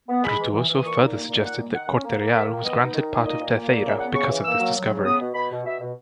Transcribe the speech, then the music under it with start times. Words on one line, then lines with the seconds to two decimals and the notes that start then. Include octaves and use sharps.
Frutuoso further suggested that Corte-Real was granted part of Terceira because of this discovery.
0.08 B3
0.23 G#3 B5
0.39 E3
0.53 E3
0.68 E3
0.77 D#6
0.83 A#2 C#6
0.99 D#4
1.14 A#3
1.28 A#2
1.44 D#3 F#5
1.58 A#3
1.74 D#3 F#5
1.88 C#4
2.05 A#3
2.19 A#3
2.34 A#3 E5
2.49 D#3
2.64 B3 D#5
2.79 D#4
2.94 D#3
3.09 D#4
3.25 A#2 D#5
3.40 A#2
3.55 A#3
3.69 A#2
3.84 C#3 E5
3.99 B3 F#5
4.14 C#3 C#6
4.30 E3
4.44 A#3 E6
4.59 F#3
4.75 F#3
4.90 C#3
5.04 B3 D#6
5.20 B2
5.34 B2 B5
5.51 B2
5.65 B2 E5
5.80 B2